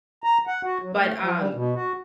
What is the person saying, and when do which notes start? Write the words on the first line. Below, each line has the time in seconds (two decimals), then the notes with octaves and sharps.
But, um,
0.24 A#5
0.47 F#5
0.64 F#4
0.82 F#3
0.96 A3
1.20 F3
1.38 G3
1.54 B2
1.75 F#4